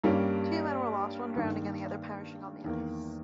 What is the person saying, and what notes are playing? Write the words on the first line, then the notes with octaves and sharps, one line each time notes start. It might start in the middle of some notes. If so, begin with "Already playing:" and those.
Two men were lost, one drowning and the other perishing on the ice.
G2 G3 A#3 C#4
G2 D#3 A#3
E2 D#3 A#3